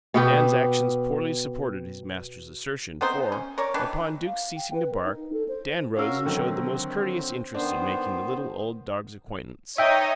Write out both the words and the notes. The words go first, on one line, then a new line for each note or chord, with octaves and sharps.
Dan's actions poorly supported his master's assertion, for, upon Duke's ceasing to bark, Dan rose and showed the most courteous interest in making the little, old dog's acquaintance.
B2 B3 G4
B3 C4 D#4 C5
C#4
A#4 C#5 D5
D#3 E3 D4 B4
F5
G5
B4
A#4
D#4
A4
C5
C#4 F#4 A#4 F5 E6
D3 D#3 F#3 C4
D#3 B3 D4 C5
D#4 C#5 D#5 E5 G5